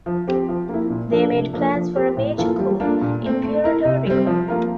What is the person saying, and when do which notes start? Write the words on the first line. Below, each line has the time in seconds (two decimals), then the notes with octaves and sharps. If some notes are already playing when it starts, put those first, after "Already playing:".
They made plans for a major coup in Puerto Rico.
0.06 F3
0.28 C4 G4
0.49 F3
0.69 A#3 E4
0.90 A#2
1.11 F3 A#3 D4 A4
1.32 C3
1.53 F3 A#3 D4 A4
1.75 F3
1.95 C4 G4 A#4
2.17 A2
2.38 E3 A#3 F4 A4
2.59 G3
2.80 A#3 D4 F4 A4
3.01 A#2
3.23 A3 C4
3.43 A3
3.64 E4 A#4
3.85 C3
4.07 G3 C4
4.27 F3
4.48 A#3 F4 A#4